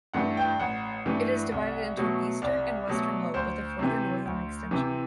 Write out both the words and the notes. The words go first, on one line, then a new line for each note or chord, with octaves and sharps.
It is divided into an eastern and western lobe, with a further northern extension.
G2 E3 A3 F#5
G5
A1 F#5
G2 E3 A3
C2
B2 F#3 A3
C2 D5
B2 F#3 A3
D2 C5
C3 E3
D2
C3 E3